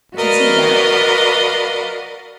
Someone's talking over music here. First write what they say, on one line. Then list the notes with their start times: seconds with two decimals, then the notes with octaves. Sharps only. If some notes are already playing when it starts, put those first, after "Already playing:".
I can see that.
0.16 F#4 A#4 B4 D5 D#5 F5